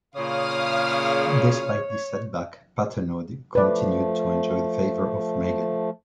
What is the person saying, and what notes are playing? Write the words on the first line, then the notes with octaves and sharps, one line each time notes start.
Despite this setback, Patenaude continued to enjoy the favour of Meighen.
A#2 C#3 C#5 F5 D#6 F6
F3 A3 B4 D5